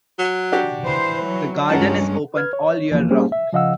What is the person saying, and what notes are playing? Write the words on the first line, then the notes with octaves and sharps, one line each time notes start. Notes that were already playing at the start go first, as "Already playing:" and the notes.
The garden is open all year round.
F#3
D4 F#4 G4
E3 C5
F#3
C#2 G2 G#3 C#4 A#4 F#5 A5
B4 F6 G#6
C#5
E2 E3 F3 A#3
G3 A#3 C#4 G4 G#4 C5
E5
C#3 F3 D#5 F5 F#5 E6